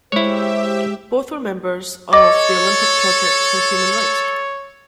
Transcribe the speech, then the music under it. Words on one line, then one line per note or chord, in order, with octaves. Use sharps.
Both were members of the Olympic Project for Human Rights.
G#3 E4 G4 C5 C#5 E5
A4 C#5 D#5 D6